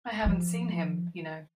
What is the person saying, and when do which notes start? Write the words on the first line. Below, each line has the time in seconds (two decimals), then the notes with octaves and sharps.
I haven't seen him, you know.
0.26 F3